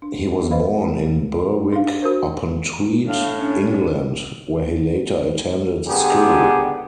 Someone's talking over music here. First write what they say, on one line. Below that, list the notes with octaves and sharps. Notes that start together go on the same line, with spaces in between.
He was born in Berwick-upon-Tweed, England, where he later attended school.
D4
B4 C5 D#5 F5 B5
D4 F5
F#4 A#4 C5
A2 D4 F5
C#4 D4
G#2 D3 B3 G4 G#4